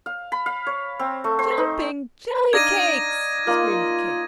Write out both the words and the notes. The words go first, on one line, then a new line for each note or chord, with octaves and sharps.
"Jumping jellycakes!" screamed the King.
F5
B5
F5
C#5
C4
A3
C5
D#4
D4 D#4 D5 F5 G#6 A#6 D#7
A#3 D#4 F4